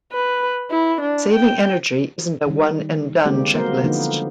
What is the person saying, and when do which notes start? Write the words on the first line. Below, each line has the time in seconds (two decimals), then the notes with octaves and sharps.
Saving energy isn’t a one-and-done checklist.
0.12 B4
0.71 E4
1.01 D4
1.34 G5
2.46 D#3 G3
3.25 D3 G3 G#3 A#3 C4 G4
3.54 F#3 A#3 B3 A#4 C5
3.83 D3 F3 A#3 B3 D#4